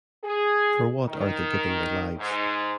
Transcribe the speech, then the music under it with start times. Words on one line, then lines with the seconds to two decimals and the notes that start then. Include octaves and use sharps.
For what are they giving their lives?
0.24 G#4
1.08 D#3
2.17 G#2